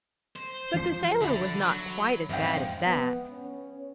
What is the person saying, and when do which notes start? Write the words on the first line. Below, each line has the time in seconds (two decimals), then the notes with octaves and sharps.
But the sailor was not quite as bad as that.
0.36 C5
0.74 F3 C7
1.21 D3 E5 B5
1.62 F#3
2.30 F2 G#2 E5 F5 G5
2.84 B3
3.30 C#4